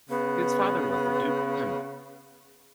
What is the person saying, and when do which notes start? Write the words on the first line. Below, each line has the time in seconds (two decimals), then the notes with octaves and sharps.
His father was the Duke Pemmo.
0.09 C#3 B3